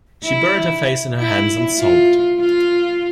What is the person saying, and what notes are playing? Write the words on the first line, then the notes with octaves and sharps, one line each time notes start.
She buried her face in her hands and sobbed.
E4
E4
F4
F4